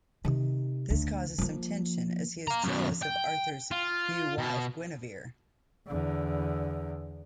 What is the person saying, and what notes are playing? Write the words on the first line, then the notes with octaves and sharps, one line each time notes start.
This causes some tension, as he is jealous of Arthur's new wife Guinevere.
C3 D#3
D2
F3 A#3
F5 A#5
F#2 B2
G5
F4
B2
E2 D3